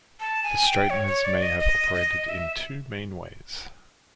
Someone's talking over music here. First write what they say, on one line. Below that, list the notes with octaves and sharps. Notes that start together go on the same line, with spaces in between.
The straighteners may have operated in two main ways.
A5
G#5
G5
C#5
C#5
D5
D#5
D#5
D#5
E5